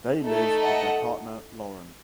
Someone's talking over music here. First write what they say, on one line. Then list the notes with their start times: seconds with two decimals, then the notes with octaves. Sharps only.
They live with their partner Lauren.
0.24 A3 D#4 A4
0.63 D#5 F#5